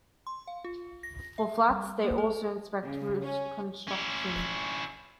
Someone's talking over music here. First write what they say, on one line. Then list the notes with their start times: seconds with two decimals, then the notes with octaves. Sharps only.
For flats, they also inspect roof construction.
0.27 C6
0.47 F5
0.64 F4
1.03 A#6
1.38 E5
1.68 G3
2.04 A#3
2.18 A4
2.83 C#3
3.23 C#4
3.88 C#4 E4